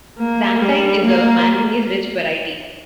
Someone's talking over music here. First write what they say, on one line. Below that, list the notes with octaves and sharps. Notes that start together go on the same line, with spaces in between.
"Xanthite" is a manganese rich variety.
A#3
G3
A#3